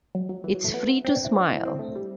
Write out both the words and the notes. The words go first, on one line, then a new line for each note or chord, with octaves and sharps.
It's free to smile.
F#3
F#3
E3
F#3
A3
B3
C4
D4
E4
D4
E4
C4
A3
G3